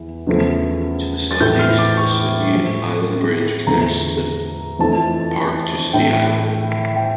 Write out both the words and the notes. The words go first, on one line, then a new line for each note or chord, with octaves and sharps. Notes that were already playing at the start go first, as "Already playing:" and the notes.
To the southeast, the City Island Bridge connects the park to City Island.
Already playing: E2 E3
E2 C#3 F3 A3
A6
A2 E3 A3 G6
F6
D6
C#6
A2 F3 A3
E2 D3 F3 A3 A#5
F2 E3 A3 A5
A2 E3 A3 G5
G5